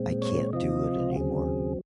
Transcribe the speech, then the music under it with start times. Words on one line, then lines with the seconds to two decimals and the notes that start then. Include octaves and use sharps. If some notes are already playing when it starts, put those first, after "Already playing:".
I can't do it anymore.
Already playing: A#2 G#3 C4
0.22 C#5
0.53 C3 F3 C4 F4 D#5
1.12 F#4
1.16 D#2 C#3 F#3 C4 G#4